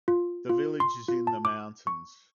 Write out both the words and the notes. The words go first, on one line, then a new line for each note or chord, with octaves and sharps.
The village is in the mountains.
F4
F4
C6
F4
A5
D6
C#6